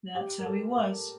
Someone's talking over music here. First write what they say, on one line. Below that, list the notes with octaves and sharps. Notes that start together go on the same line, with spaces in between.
That's how he was.
G4
A#4
A4
A#4